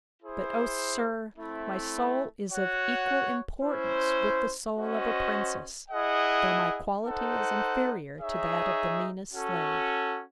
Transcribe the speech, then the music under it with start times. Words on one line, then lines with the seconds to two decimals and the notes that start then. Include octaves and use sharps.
But, O sir! my soul is of equal importance with the soul of a princess; though my quality is inferior to that of the meanest slave.
0.21 E4 G#4 C5
1.35 A3 C4 E4
2.48 F#4 C#5 F#5
3.62 C#4 E4 C5
4.76 C#4 F#4 C5 D#5
5.90 E4 G#4 D#5 F#5
7.05 D#4 A4 C5 F#5
8.18 D#4 G#4 C#5 E5
9.32 C#4 F#4 A4